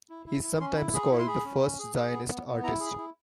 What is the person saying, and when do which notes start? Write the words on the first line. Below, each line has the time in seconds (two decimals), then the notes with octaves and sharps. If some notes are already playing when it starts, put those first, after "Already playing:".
He is sometimes called the first Zionist artist.
0.10 E4
0.26 E4
0.43 E4
0.60 C#4 C6
0.77 E4 B5
0.94 G#4 B5
1.11 E4 B5
1.19 C6
1.27 G#4 B5
1.45 C#4
1.62 C#4
1.79 G#4
1.96 G#4
2.12 B3
2.30 B3
2.47 B3
2.63 E4 A#5
2.80 G#4
2.86 B5
2.98 E4